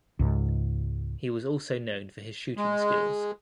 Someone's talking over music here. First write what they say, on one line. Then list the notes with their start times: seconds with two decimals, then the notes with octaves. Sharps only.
He was also known for his shooting skills.
0.19 C#2 G#2
2.57 G#3